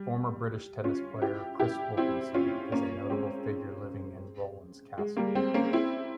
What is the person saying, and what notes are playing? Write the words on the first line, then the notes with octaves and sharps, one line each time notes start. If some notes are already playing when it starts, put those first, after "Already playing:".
Former British tennis player Chris Wilkinson is a notable figure living in Rowland's Castle.
Already playing: G3
C#4 F4
E4 G4
E4 G4
C4 E4
C#4 F4
A#3 C#4
G#3 C4
G#3
G3 A#3
G#3 C4
A#3 C#4
C4 E4